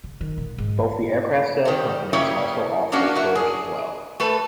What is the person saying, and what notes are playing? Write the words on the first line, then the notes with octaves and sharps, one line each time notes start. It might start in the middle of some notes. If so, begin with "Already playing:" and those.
Both the aircraft sales companies also offer storage as well.
C#3
D#3
A#2
G#2
D#3 G3
C#3 G3 A#3 E4 C#5 D#5
A#3 B3 C#4 D4 F#4
E4 F#4 A#4
G#4
A3 A4 B4